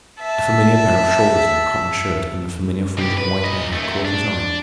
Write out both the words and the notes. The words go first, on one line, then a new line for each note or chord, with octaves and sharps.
A familiar pair of shoulders in a cotton shirt and a familiar fringe of white hair had caught his eye.
E5 A5
B2 G4
B4
A#2 D#5
F#2 A3
D4